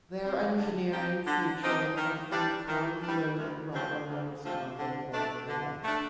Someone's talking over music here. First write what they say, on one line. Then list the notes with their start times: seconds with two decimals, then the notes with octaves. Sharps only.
Their engineering featured an inclined loop rather than a standard vertical one.
0.22 G3 C4
0.56 D3
0.92 F3 C4 D#4 G4
1.26 D3
1.62 F3 C4 D#4 G4
1.96 D#3
2.31 G3 D4
2.67 D#3
3.02 G3 D4
3.37 D2
3.72 C3 F3 A3 C4
4.08 D2
4.43 C3 F3 A3 C4
4.78 D3
5.13 A3 D4
5.48 D3
5.83 A3 D4